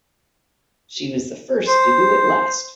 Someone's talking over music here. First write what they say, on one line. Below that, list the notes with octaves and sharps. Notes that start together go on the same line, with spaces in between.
She was the First to do it last.
C5